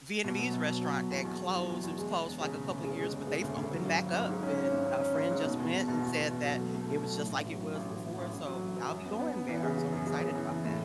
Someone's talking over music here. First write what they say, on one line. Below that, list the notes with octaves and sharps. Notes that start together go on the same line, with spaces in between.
Vietnamese restaurant that closed. It was closed for, like, a couple of years, but they've opened back up and a friend just went and said that it was just like it was before, so I'll be going there, so I'm excited about that.
B2
F#3
B2
F#3
F#3
B2
E2
E2
F#3
E2
E2
E2
G#3
E1
E1
C#3
E1
D2
C#3
G#3
E1
C#3
D2
D2
F#3
G#1
F#3
G#1
G#2
C#4
C#4
G#1
C#4
C#4
G#1
G#2
B2
E2
B2
B2
E2
E2
B2
F#3
A3
A3
A3
F#3
A2
A1
F#3
A1
A1
A1
A2
A1
A1
F#3
A1
F#3
F#2
B3
B3
B3
E3
C#3
C#3
F#2
C#3
C#3
E3
E3
A2